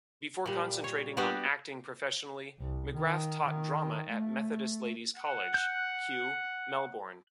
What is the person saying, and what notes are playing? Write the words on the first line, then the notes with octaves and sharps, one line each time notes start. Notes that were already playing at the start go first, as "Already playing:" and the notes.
Before concentrating on acting professionally, McGrath taught drama at Methodist Ladies College, Kew, Melbourne.
A#2 G3
C#5
G3 B3 D4 F#4 G4
C2
D#3
D#3
A3
F#5
F#6 G6